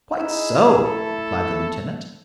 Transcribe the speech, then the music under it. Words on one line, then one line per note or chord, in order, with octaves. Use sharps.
"Quite so," replied the lieutenant.
D#4 E4 G#4
A3 A4